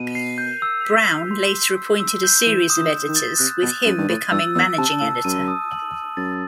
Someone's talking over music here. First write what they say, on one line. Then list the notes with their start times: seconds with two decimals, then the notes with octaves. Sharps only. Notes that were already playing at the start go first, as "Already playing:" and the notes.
Browne later appointed a series of editors with him becoming managing editor.
Already playing: B2 D#7
0.15 C7
0.38 G6
0.62 E6
0.85 B6
1.08 E6
1.31 C6
1.54 E6
1.77 E6
2.00 E6
2.23 G6
2.46 E3 E7
2.70 D#6
2.77 E3
2.93 D#6
3.09 D#3
3.16 A6
3.39 C3 F#6
3.62 B2 A6
3.85 F#2 D#7
3.98 G2
4.09 A2 A6
4.32 G2 E6
4.55 E2 E6
4.78 C3 A5
5.01 A2 E6
5.24 F#2 D#7
5.48 D#6
5.71 F#7
5.94 D#7
6.17 F#2 A6